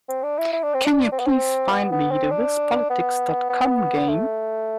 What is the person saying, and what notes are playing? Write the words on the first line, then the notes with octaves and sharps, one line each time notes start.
Can you please find me the Wispolitics.com game?
C4
D4
E4
E4
D4
C4
D4
C4
B3
C4
B3
B3
C4
D4
B3
B3
A3